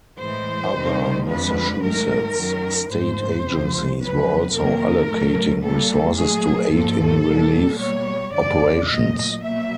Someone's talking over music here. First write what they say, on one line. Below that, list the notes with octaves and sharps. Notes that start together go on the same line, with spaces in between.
Other Massachusetts state agencies were also allocating resources to aid in relief operations.
A2 E3 G#3 C5
C3 D#3 G3
F2 D3 F3 G#3 B4
G#2 D#3 F#3 A3 A#4
F#2 D#3 F#3
G#2 F3 A3 C5
F2 C3 F3
F2 C#3 F#3 B4
F2 C3 D#3 F#3 A#3 A#4
A2 F#3 A3
A#2 G3 A#3 A4
A#2 F#3 A3 G#4
G#2 F3 A#3 A4
B2 G3 A#3
B2 G3 A#3 C#5
F#2 D3 F3 D5
A#2 F#3 A3 D#5
B2 F#3 A#3 E5